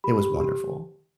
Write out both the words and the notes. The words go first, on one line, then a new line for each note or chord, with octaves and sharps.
it was wonderful.
G4 B5
G4
G4